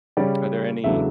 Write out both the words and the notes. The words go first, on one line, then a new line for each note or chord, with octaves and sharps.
Are there any
C#3 G3 C#4 D5
E2 C#3 F#3 A3 D4 E5